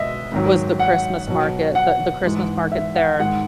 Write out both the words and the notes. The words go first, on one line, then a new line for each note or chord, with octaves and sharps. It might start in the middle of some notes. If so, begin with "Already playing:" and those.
was the Christmas market, the the Christmas market there,
Already playing: B2 G#3 D#5 E5
G#2 D#3 F#3
F#5
B2 F#3
F#5
G#2 E3 G#3
E5
F#5
G#2 D#3 G#3 F#5